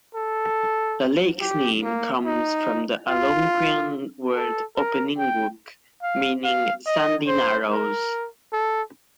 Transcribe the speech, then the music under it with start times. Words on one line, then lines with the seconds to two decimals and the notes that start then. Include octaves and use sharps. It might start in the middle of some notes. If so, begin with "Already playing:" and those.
The lake's name comes from the Algonquian word "opeauwingauk" meaning "sandy narrows".
0.15 A4
1.40 G4
1.83 A#3
2.25 D#4
3.08 F4
4.34 A4
4.76 A#4
5.18 G5
6.02 F5
6.44 F5
6.86 D#5
7.27 C5
7.70 A#4
8.53 A4